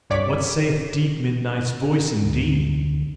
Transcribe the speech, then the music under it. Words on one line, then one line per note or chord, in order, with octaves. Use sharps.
What saith deep midnight's voice indeed?
C2 G2 C#5 D5 D6 B6
D2